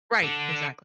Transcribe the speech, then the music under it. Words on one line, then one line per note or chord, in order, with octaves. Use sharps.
Right. Exactly.
D3 D4